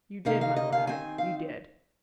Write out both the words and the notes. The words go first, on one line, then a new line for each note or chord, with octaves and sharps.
"You did, my lad; you did."
C3 D#3 A#3 D#4 F5
F5
D#5
F5
D#3 C4 D#4 G#5
F5